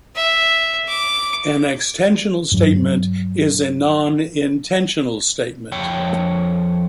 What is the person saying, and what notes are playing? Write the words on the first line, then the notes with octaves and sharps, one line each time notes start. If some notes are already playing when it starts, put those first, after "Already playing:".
An "extensional" statement is a non-intensional statement.
E5
D6
G2 F#3
F2 C#5 G5